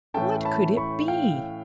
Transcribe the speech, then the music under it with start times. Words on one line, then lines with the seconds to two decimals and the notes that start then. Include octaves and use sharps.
What could it be?
0.14 A2 E3 A3 C#4 G5 A5
0.45 A5 B5
0.77 B5 C#6
1.08 F5 G5